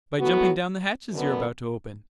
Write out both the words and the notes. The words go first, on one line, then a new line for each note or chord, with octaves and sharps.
"By jumping down the hatches you're about to open."
A2 F#3 B3 F#4
F#2 D3 B3